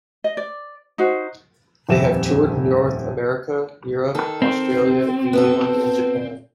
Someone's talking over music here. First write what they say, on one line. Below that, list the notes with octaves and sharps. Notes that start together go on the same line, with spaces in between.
They have toured North America, Europe, Australia, New Zealand and Japan.
D#5
D5
D#4 F#4 C5
D#1 F2 E5 E7
D#3 A4
C4
B3 F#4 A4